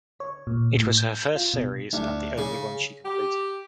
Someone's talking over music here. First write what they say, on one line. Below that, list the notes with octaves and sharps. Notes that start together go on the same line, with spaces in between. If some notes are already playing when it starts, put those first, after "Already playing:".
It was her first series and the only one she completed.
C#5
A#2
A2
G6
F4
B2
D2
C#3
G4